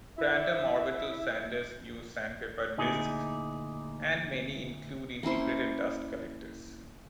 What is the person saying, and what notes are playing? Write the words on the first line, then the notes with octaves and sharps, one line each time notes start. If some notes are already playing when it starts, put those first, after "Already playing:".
Random-orbital sanders use sandpaper disks, and many include integrated dust collectors.
E4 E5
D2 A#2 D#4 E4 G#4
A#3 C#4 E4 C5